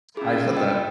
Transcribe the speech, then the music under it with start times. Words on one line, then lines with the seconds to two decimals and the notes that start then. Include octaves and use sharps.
I just have to
0.17 C#4 E4 F4 G#4
0.57 D#5 G5